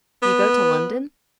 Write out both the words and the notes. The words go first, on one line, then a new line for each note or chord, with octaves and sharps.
"You go to London?"
B3